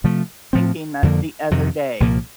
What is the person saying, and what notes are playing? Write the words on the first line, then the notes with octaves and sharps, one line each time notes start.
thinking that the other day.
C3 F3 A3
A2 F3 C4
F2 D3 F3 A#3
F2 C3 D#3
C2 A#2 F3 A#3